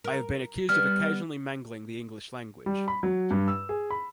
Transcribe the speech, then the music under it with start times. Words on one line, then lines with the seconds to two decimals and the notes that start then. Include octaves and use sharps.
I have been accused of occasionally mangling the English language.
0.04 A#4
0.69 G3 B3 F6
2.66 G3
2.88 B5
3.03 F#3
3.31 G2
3.48 E6
3.69 G#4
3.91 B5